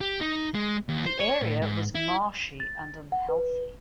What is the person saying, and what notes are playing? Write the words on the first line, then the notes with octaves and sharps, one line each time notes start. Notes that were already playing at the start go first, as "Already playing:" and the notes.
The area was marshy and unhealthy.
G4
D#4
G#3
D#2
C5
C#5
A2
G#2
E4
A6
F#5
B4